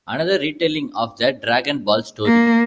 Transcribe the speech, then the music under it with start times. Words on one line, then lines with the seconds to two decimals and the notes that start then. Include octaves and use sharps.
Another retelling of the Dragon Ball story.
2.26 A#3